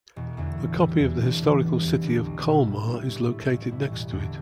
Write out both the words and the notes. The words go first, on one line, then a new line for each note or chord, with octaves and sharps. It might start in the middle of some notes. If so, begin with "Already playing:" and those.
A copy of the historical city of Colmar is located next to it.
E1
E2 D3 A3
A2
G3 E4
E2
E3 A3 D4
A2
G3 B3
E2
D3 B3 D4
B1
B2 B3 E4
A2
G3 E4
A2
A3 E4
A1
A2 G3 E4
E1
E2 D3 B3 D4